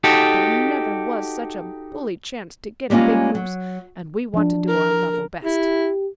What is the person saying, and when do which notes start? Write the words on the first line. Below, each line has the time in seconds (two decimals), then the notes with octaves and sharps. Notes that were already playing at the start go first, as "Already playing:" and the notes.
There never was such a bully chance to get a big moose, and we want to do our level best.
0.04 D#4 F#4 G4 A4
2.90 G3 G#3 A#3 C#4 F4
3.35 F#3
4.34 F3 D4
4.68 A#4
5.44 E4 G4